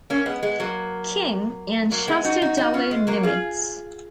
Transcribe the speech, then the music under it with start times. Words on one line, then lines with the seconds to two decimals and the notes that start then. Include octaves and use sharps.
King, and Chester W. Nimitz.
0.10 A#3 C#4
0.26 G#3 B3
0.43 G#3 B3
0.60 F#3 A#3
1.91 F#3 A#3
2.07 G#3 B3
2.24 D#4 F#4
2.42 D#4 F#4
2.57 D#4 F#4
2.74 C#4 F4
2.91 G#3
3.07 F#3 A#3
3.23 F4 G#4